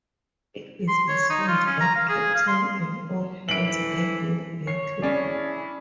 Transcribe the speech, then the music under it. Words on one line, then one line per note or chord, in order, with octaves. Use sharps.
It is assumed that Captain and all hands died in battle.
C6
C#5
D#4
F4
C#4
A#5
F5
G#4
F5
C6
D3 E3 D7 F#7
C#5 C7
C#4 D4 E4 G#4 D5